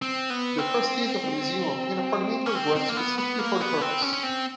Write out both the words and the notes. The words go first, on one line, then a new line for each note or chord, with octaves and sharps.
The trustees of the museum obtained a parliamentary grant specifically for the purpose.
C4
B3
C4
C#4
C4
C4
A#3
B3
B3
A#3
B3
C4
C#4
C#4
C4